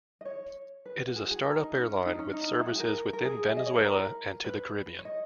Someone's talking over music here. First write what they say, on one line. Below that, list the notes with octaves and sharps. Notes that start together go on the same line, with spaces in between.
It is a start-up airline with services within Venezuela and to the Caribbean.
D#5
C#5
B4
F#4
G#4
F#4
G#4
A#4
D#4
C#4
D#4
C#4
D#4
E4
F#4
G#4
A#4
A#4
G#4
E5
D#5
C#5
B4
A#4
B4
C#5
D#5